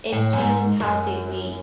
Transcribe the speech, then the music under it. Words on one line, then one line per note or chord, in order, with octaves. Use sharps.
it changes how they wait,
A2
F#2
G#2
F#2